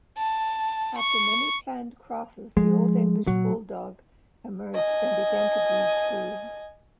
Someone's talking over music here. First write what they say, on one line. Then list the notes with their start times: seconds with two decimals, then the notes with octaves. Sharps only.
After many planned crosses, the Olde English Bulldogge emerged and began to breed true.
0.17 A5
0.97 C#6
2.57 F3 G#3
3.27 A#2 F#3
4.74 D#5 G#5